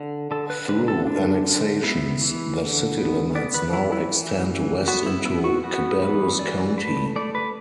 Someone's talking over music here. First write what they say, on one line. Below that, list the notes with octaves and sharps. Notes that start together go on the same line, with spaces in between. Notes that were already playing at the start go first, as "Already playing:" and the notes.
Through annexations, the city limits now extend west into Cabarrus County.
Already playing: D3
D3 A4
B4
D3 B4
A4
D3 D4
D3
B3 E4
E3
D3
B3
B3 D5
B4
E3 E4
E4
E3
E3
B3 F#4
E4
B3 E4
F#4
B3 F#4
E3 B4
E3 D5
A3 B4
A3 D5
B4